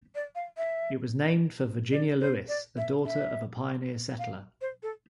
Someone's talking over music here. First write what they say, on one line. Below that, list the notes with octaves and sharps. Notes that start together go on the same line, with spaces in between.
It was named for Virginia Lewis, the daughter of a pioneer settler.
D5
F5
E5
D5
C5
D5
E5
E5
F5
C5
A4